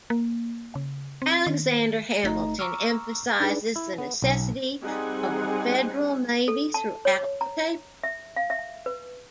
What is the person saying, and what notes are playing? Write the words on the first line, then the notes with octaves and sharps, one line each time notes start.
Alexander Hamilton emphasizes the necessity of a federal navy throughout the paper.
A#3
C#3
C4
D#3
G1 A3 D#4 D#5 A#5
A#5 C#6 D6 E6 F6
D4 D#4 G#4 B4 D5
E4
B3
B1
G3 C4 D#4 G#4 F#5 G#5
A4
A5
C#5
A#5
E5
F5
E5
B4